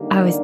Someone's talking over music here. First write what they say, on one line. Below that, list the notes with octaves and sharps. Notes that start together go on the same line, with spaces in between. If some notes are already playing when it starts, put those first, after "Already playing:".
I was
Already playing: D#2 D3 G3 A#3